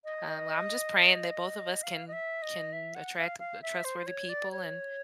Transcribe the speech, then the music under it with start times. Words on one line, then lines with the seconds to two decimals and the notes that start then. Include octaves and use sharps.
Um, I'm just praying that both of us can can attract w trustworthy people and
0.04 D#5
1.83 F5
2.08 D#5
2.13 E5
2.42 D#5
2.73 E5
2.95 F#5
3.18 F5
3.39 F5
3.62 E5
3.85 C5
4.06 C#5
4.29 D5
4.51 C#5